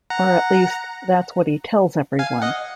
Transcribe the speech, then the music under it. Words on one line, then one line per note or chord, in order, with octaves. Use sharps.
Or, at least, that's what he tells everyone.
F#5 A#5
F5 G#5
D#5 F#5